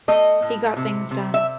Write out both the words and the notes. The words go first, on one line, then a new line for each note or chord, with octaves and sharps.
He got things done.
A3 D#5
A2
C3
C3
E5